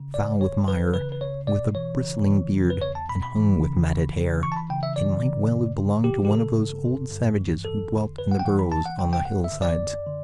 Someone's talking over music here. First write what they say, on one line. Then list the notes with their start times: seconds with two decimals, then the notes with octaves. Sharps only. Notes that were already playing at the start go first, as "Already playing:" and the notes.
Foul with mire, with a bristling beard, and hung with matted hair, it might well have belonged to one of those old savages who dwelt in the burrows on the hillsides.
Already playing: C#3
0.14 G2 D5
0.41 D3 C#5
0.67 E3 B4
0.94 C#3 B4
1.12 B4
1.21 C#2 C#5
1.47 B2 D5
1.75 E3 C#5
2.02 C#3
2.28 E3
2.55 C#3
2.70 B4
2.81 E2 C#5
2.95 A5
3.09 B2 B5
3.23 B5
3.36 E3
3.63 C#3
3.89 E3
4.17 C#3
4.43 E3 C#6
4.52 A5
4.57 B5
4.70 C#3 G5
4.83 E5
4.96 E3 D5
5.23 C#3
5.51 G2
5.77 D3
6.04 E3 G4
6.25 G4
6.31 C#3 A4
6.58 G2
6.84 D3
7.11 G2
7.38 E3
7.65 E2 A4
7.92 D3
8.18 F#2 B4
8.31 F#5
8.39 G5
8.45 E3 F#5
8.59 B5
8.72 E3 A5
8.86 F#5
8.99 C#3 G5
9.13 G5
9.25 G2 F#5
9.44 E5
9.52 D3
9.62 D5
9.80 F#2
10.06 D3